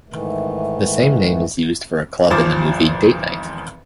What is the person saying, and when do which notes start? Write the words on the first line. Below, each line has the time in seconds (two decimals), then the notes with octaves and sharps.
This same name is used for a club in the movie "Date Night".
0.09 G#2 D#3 E3 A3
2.30 G#1 E2 F3 C5 D6 A6